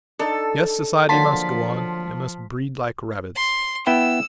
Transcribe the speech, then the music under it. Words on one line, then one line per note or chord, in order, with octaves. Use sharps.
Yes, society must go on; it must breed, like rabbits.
D4 D#4 A4
D3 F3 F#3 A#3 A5 C6 B6
C6
B3 E4 G5 E6